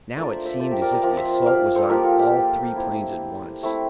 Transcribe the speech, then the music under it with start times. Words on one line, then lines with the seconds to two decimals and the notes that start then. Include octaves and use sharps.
Now it seemed as if the assault was on all three planes at once.
0.17 A3 D4 F4 A#4 D5
0.31 C5 E5
0.45 C5 E5
0.59 A4 C5
0.71 G4 A#4
0.82 A#4 D5
0.92 A#4 D5
1.03 F3 C4 F4 A#4 D5
1.17 C5 E5
1.46 D5 F5
1.75 A4 C5
1.89 F3 A#3 F4 G4 A#4
2.04 F4 A4
2.19 G4
2.33 G4
2.76 G3 C4 E4
3.63 A3 C4 E4